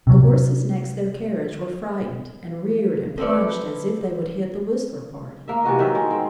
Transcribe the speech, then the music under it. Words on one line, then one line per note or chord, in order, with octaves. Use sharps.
The horses next their carriage were frightened, and reared and plunged as if they would hit the Whistler party.
C3 F#3
C4 E4 A4 B4 D5
A#3 E5
C3 E3 F#4 D#5
D#3 F#3 E5
G#3
C4